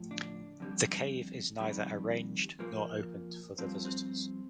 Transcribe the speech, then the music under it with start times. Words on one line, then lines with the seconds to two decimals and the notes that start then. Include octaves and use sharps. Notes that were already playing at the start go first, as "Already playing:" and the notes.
The cave is neither arranged nor opened for the visitors.
Already playing: A2 F3
0.11 D4
0.60 F2 D3 G3
1.59 F2 D#3 G3
2.59 A#2 F3 A#3
3.58 G2 F3 C4
3.85 C4